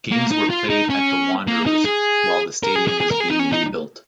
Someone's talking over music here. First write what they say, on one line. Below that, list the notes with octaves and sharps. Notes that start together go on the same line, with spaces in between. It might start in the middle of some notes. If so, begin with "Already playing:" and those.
Games were played at the Wanderers while the stadium was being rebuilt.
A#3
D#4
F4
D#4
C#4
A#3
D#4
G#4
A#4
G#4
G#4
G#4
A#4
G#4
D#4
C#4
D#4